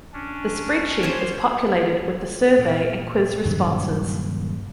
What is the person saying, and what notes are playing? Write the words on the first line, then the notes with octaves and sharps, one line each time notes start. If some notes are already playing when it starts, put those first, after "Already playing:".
The spreadsheet is populated with the survey and quiz responses.
C#4 D4
C5 C#5
A#2
D#1 G2 C#3 F#3